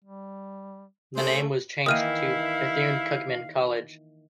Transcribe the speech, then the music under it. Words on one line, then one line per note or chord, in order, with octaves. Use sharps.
The name was changed to Bethune-Cookman College.
G3
A3 C4 C#4 G#4 C5
D#3 E3 A#3 E4 F5 D#6 F6 D#7